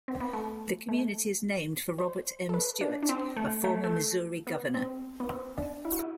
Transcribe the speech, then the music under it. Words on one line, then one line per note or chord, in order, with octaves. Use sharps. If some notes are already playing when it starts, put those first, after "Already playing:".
The community is named for Robert M. Stewart, a former Missouri governor.
C4
B3
A3
A3
C5
A4
B4
D4
D4
C4
A3
A3
A3
B3
C4
B3
C4
D4
E4
F#4
E4